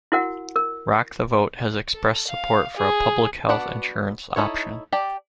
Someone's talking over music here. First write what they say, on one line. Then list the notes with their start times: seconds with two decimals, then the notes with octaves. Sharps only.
Rock the Vote has expressed support for a public health insurance option.
0.12 E4 F#4 A#4 F#5
0.56 A#4
1.94 A4
2.28 F5
2.77 G#4
3.49 B3 D4 F#4 D5 F#5
4.36 D#4 E4 A4 C#5
4.92 G4 D5 G5 A5